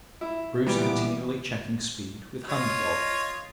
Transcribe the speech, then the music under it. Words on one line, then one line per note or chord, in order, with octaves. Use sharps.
Bruce continually checking speed with hand log.
E4
A#2 E3 G3 B3 D6
F4 C#5 D#5